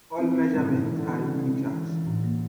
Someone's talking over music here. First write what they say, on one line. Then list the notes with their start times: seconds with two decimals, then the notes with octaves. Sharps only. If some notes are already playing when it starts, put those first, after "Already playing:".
All measurements are in metres.
0.18 E3 C4
0.32 E3 C4
0.45 D#3
0.53 C#3 G#3
0.70 C#3 G#3
0.87 E3
0.96 D3
1.04 B3
1.22 G#3
1.39 G#3
1.56 C#4
1.73 E3
1.91 E3
2.07 A2
2.24 A#3